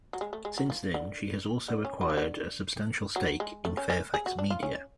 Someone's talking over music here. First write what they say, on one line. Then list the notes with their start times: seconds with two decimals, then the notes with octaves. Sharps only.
Since then she has also acquired a substantial stake in Fairfax Media.
0.13 F#3
0.21 G#3
0.33 A3
0.45 G#3
0.58 F#3
0.70 F3
0.94 D3
1.68 D3
1.85 C#4
2.01 F#3
2.10 C#3
2.17 D3
3.16 F#3
3.40 G#3
3.65 A3
3.77 C#4
3.90 C#4
4.14 G#4
4.26 F#4
4.39 D4
4.51 F4
4.63 C#4